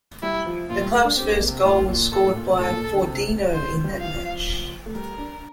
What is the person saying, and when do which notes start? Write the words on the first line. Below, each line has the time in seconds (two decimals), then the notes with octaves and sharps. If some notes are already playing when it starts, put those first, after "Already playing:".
The club's first goal was scored by Fordinho in that match.
0.23 G3 E4
0.46 F3
0.70 A#2 F4
0.81 G3
0.93 A3
1.04 D4
1.17 C4 G4
1.33 A#3
1.48 C3
1.64 A2 F4
1.88 A#2
2.12 A#2 A4
2.23 A2
2.35 A#2
2.46 C3
2.58 A2 A4
2.70 A#2
2.94 D3
3.06 C3
3.54 D3 C5
3.69 E3
3.84 G3
3.94 F3
4.00 E3 F5
4.14 F3
4.86 A3
4.94 G3 A#4
5.18 D4